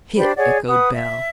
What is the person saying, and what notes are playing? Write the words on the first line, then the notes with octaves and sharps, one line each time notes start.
"Hit!" echoed Bell.
D4 G4 C5 B5
G#4 C#5 D5 F#5
B4 F#5 D#6
E5